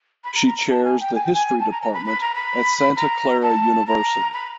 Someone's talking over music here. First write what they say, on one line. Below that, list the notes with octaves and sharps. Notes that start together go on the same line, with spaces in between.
She chairs the history department at Santa Clara University.
B5
A#5
A#5
A#5
A5
G#5
G5
G#5
G5
G#5
A5
A#5
A#5
B5
B5
A#5
B5
A#5
A5
A#5
B5